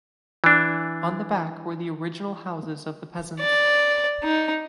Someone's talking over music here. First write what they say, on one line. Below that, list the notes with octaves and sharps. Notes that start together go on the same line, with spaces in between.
On the back were the original houses of the peasants.
E3 D4
D5
D#4